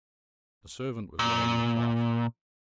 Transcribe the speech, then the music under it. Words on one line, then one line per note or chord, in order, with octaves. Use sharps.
The servant was laying the cloth.
A#2